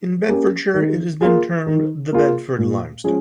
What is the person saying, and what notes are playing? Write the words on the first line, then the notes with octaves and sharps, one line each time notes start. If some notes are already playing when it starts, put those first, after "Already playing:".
In Bedfordshire it has been termed the Bedford limestone.
A#3 C#4 G4
D#3
A#3 F4 G#4
D#3
A#3 F4 G#4
A#2
F3 G#3 C#4 G#4